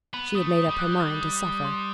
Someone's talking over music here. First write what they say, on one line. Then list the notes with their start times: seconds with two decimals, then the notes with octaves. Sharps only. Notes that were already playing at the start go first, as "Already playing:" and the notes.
She had made up her mind to suffer.
0.13 B3 B5
0.35 A3 D#6
0.57 D#6
0.68 G3
0.79 F#6
1.00 A6
1.21 D#6
1.43 D#6
1.64 C6